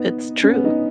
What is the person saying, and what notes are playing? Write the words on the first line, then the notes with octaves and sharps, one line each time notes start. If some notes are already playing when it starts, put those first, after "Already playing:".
It's true.
Already playing: B3 D#4
C#4
B3
D#4